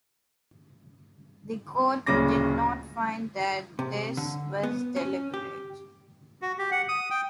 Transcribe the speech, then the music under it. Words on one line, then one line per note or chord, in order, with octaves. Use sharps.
The Court did not find that this was deliberate.
D1 A#2 C#3 C#4 D6 A#6
C3
D3
B3
C#4
G4
F#4
G4
F#5
D#6
G5